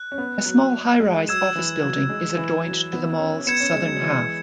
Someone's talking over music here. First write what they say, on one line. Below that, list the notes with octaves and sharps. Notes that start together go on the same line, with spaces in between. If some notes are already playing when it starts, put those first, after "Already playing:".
A small highrise office-building is adjoined to the mall's southern half.
Already playing: F#6
C#4
B3
F#3
G#3
F#3 E6 G#6 E7
E3
F#3
G#3
E3
F#3
B3
C#4
B3 G#6 C#7 E7
C#4
G#3
F#3
E3